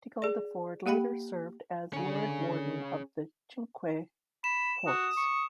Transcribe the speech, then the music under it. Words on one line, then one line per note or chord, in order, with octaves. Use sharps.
De Guldeford later served as Lord Warden of the Cinque Ports.
G#4 D5
A#3 G4 F5 G5 B5
D3 C#4 G#4
B5 E7
F#4 D#6
C#6